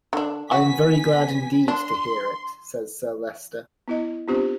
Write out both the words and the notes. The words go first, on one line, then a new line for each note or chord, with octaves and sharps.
"I am very glad indeed to hear it," says Sir Leicester.
D3 D4
B3 F#4 G#5 B6
D4 C6
B3 E4 D#5
B3 C4 D4 F4 G4 C5